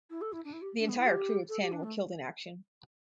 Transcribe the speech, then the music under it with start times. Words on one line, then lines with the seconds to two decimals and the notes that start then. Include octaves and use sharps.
The entire crew of ten were killed in action.
0.10 E4
0.21 A4
0.32 E4
0.44 D4
0.52 E4
0.61 G4
0.79 D4
0.88 B3
0.97 E4
1.05 G4
1.48 A4
1.61 G4
1.71 D4
1.83 A3